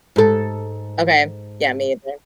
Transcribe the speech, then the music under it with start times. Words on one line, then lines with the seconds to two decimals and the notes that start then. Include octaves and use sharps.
Okay, yeah, me either.
0.16 G#2 A4